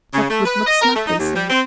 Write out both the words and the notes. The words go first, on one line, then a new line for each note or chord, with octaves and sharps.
What would McSnagley say?
C#3
A3
B4
D#5
A#4
A3
D#4
D#2
G3
C4